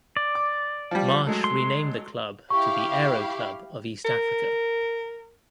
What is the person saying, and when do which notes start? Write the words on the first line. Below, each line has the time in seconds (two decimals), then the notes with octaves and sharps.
Marsh renamed the club to the Aero Club of East Africa.
0.17 D5
0.35 D6
0.91 F3 G3
1.27 F#3 G#3 A3
1.44 C6
2.50 E4 G4 F5 C#6
4.05 A#4